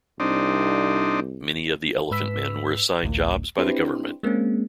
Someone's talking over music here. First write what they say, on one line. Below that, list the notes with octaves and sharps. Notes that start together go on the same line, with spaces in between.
Many of the Elephantmen were assigned jobs by the government.
C2 C4 D4 D#4
G#2 B4 E6 B6
A1 D2 A2
C4 D4 E4 G4 B4 C5
G#3 A#3 C4 C#4